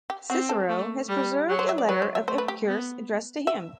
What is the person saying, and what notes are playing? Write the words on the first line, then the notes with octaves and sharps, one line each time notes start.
Cicero has preserved a letter of Epicurus addressed to him.
G4
C4 F#4
A4
A3
G3
F#3
C5
E5
D5
F#3 B4
C5
E5
A3 C5
B4
G4
B3
E5